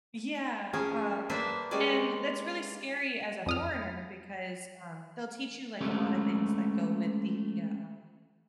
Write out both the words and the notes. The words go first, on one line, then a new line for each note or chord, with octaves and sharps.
Yeah, um, and that's really scary as a foreigner because, um, they'll teach you, like, a lotta things that go with the, um,
F3 C#4 G#4 A#4
A#3 D4 B4 C5 D5 E5
G3 G#3 C#4 D5
F2 D#6 F6
G#3 A3 C#4 G4